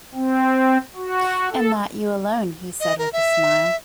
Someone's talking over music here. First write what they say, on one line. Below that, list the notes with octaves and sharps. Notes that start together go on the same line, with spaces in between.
"And not you alone," he said, with a smile.
C4
F#4
A4
D#5
A#4
E5